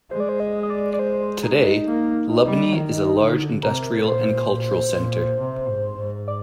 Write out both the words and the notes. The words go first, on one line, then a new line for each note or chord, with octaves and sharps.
Today, Lubny is a large industrial and cultural centre.
G#3 C5
D5
C5
D#5
D#5
D5
D5
C5
D#4
D4
D#4
A#3
G3
D#3
D3
C3 A#4
A#2 C5
A#2
A#2
C3
G#2
G#2
D5